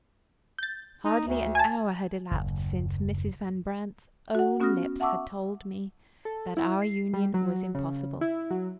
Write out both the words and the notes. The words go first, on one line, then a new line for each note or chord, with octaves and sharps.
Hardly an hour had elapsed since Mrs. Van Brandt's own lips had told me that our union was impossible.
G6 A6
D#4
D2
G#5 A5
F#1 D#2
F#4 F#5
B3 C#4 F#4 D#6 F6 A#6
E5 F#5 A5 C#6 D6 E6
A4
E4
C7
G3
F#3
C#3
E4
F#3